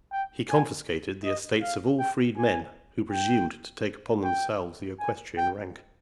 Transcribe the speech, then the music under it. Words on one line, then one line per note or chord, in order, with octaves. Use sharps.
He confiscated the estates of all freedmen who presumed to take upon themselves the equestrian rank.
G5
G#5
D#5
F5
G5
G#5
G5
G5
G#5
G5